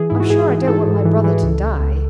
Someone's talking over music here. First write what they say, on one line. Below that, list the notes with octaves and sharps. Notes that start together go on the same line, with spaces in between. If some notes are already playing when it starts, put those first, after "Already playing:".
"I'm sure I don't want my brother to die."
Already playing: E3 G#4
G#2 E4
F#4
G#2 G#4
E3
G#2 A4
G#2
E3
E3
C#2
C#2
C#2